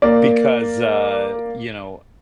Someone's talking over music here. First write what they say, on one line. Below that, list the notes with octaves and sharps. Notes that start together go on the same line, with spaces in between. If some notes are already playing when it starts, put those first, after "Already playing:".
because, uh, you know, d
A#3 D5